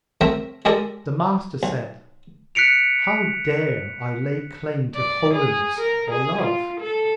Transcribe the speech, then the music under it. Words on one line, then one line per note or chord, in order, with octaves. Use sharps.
The Master said, How dare I lay claim to holiness or love?
A3 C4 A#4 E5 G5
G#3 G4 A4 A#4 D5
B1
F#6 B6 C#7 D7 F7
D5
G#4
A#4
G#4
F4
A4